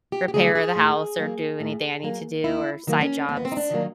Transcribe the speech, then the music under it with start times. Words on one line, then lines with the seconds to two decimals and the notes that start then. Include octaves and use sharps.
repair the house or do anything I need to do or side jobs.
0.12 G4
0.28 G4
0.34 D3 F#3 A3 G#4
0.55 G#4
0.76 A2
1.18 F#3 A#3
1.60 A2
2.03 F#3 A#3
2.44 D#2 E4
2.87 D#3 F#3 A#3
3.01 C#4
3.29 D#2 C4
3.37 B3
3.45 C4
3.52 D#4
3.57 D4
3.71 D#3 F#3 A#3